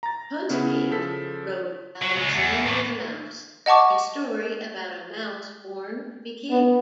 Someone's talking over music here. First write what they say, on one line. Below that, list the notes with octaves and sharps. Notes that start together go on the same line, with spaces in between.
Postgate wrote "Alexander the Mouse," a story about a mouse born to be king.
A#5 A6
C#3 B3 C#4 E4
C#3 F3 A4 B6
F#3
C#3 G#3
E2
A2 E3
D#5 F#5 A5 C#6 D6
B3